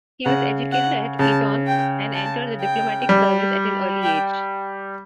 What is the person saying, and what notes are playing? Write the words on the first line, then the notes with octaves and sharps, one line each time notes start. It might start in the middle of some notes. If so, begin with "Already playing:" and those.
He was educated at Eton and entered the Diplomatic Service at an early age.
C#3 F#5
F#5
C#3 A5
G5
A5
G5
G3
G5